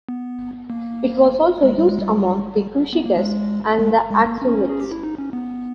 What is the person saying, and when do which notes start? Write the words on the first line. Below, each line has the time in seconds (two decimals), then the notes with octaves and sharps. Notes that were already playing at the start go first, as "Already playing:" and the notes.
It was also used among the Kushites and the Aksumites.
0.09 B3
0.70 A#3
1.63 G#3
1.78 G3
1.89 G#3
1.99 G3
2.56 G3
2.93 B3
3.06 A#3
3.17 G#3
3.79 G#3
4.11 G#3
4.26 A#3
4.42 C#4
4.69 G#4
4.80 G4
4.91 E4
5.03 D#4
5.18 C#4
5.33 B3